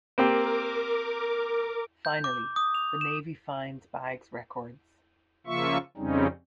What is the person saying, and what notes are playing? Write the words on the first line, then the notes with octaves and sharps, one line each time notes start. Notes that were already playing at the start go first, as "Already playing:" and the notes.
Finally the Navy finds Baggs' records.
A#3 C4 G4 A#4 D6
G6
D6
D#6
F7
E7
C#3 F3 A#3 F4 E5 C#6
F2 C#3 G3 C4 C#4 D#4